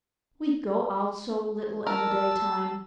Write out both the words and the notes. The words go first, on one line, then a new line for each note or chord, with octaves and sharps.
"We go out so little in the daytime."
A#4 A5 E6